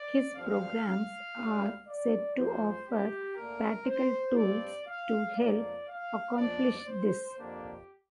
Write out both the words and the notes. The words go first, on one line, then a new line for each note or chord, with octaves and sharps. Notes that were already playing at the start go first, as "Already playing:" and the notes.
His programs are said to offer practical tools to help accomplish this.
Already playing: D5
G2 D3 F3 C4 F5
D2 D3 G3
D5
F2 F3 A#3 C5
G4
D2 D3 A#3 D4 A#4
C5
G2 G3 C4 D5
F5
F2 D3 A#3 D4 D5
F5
F2 F3 D4 D5
C5
F2 D3 A#3 D4 G4